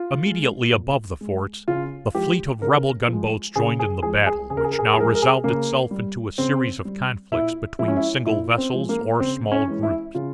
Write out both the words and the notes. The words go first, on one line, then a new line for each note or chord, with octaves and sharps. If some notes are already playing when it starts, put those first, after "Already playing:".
Immediately above the forts, the fleet of rebel gunboats joined in the battle, which now resolved itself into a series of conflicts between single vessels or small groups.
Already playing: F4
G#3
A#2
G#3
C#3 F4
F3 G#3 G4
C#3 A#4
F3 G#3
C#3 G#4
G#4
F3 G#3 G#4
G#4
C#3 G#4
A#4
G#4
A#4
G#4
A#4
G#4
F3 G#3 A#4
G#4
A#4
G#4
C#3 A#3
G3
C#3 C4
G3
A#2 E4
F3 G#3 E4
C#4
E4
A#2 E4
C4
F3 G#3
A#3
C#3 C4
C#4
E3 G#3
E4
C#3 F4